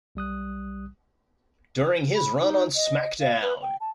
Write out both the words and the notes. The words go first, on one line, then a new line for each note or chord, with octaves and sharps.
During his run on SmackDown!
B1 G3 D#6 F#6
B5
D#4
D#5
F5
B4
G5
A5